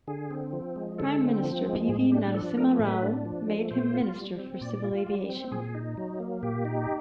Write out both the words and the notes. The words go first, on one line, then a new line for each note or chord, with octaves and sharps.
Prime Minister P. V. Narasimha Rao made him Minister for Civil Aviation.
D3 G#4
C4
F3
G#3
D3 A4
C4
F3
G#3
A2 G#4
D4 G4
F3 A4
A3 A#4
A2 B4
D4
F3
A3
A#2 C5
F4
G3
C4
A#2 D5
F4
G3
C4
A#2 G#4
D#4
F#3
A#3
A#2 G4
D#4